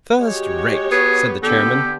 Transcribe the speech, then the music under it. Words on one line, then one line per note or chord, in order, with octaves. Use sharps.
'First-rate!' said the Chairman.
G#3 F#4 G4 C#5
B3 G#4
D3 B3 G4 A4